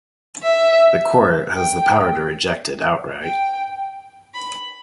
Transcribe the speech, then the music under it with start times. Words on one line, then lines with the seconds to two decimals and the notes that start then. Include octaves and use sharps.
The court has the power to reject it outright.
0.43 E5
1.54 G5
3.23 G5
4.34 B5